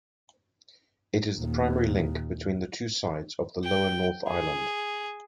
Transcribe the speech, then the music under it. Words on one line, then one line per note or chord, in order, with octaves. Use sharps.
It is the primary link between the two sides of the lower North Island.
D#2 A#2
G5
G#4